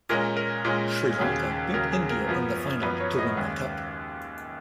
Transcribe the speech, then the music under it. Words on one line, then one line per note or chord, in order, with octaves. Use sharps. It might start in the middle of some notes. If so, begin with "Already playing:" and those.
Sri Lanka beat India in the final to win the cup.
A#2 G#3 C#4 A#4
A#4
A#2 G#3 C#4
D#2 C#3 F#3 G#4
D#2 C#3 F#3 A#4
G#4
A#4
F#2 F3 B3
F#2 F3 B3 B4
C#5
D#5
D#2 C#3 G#3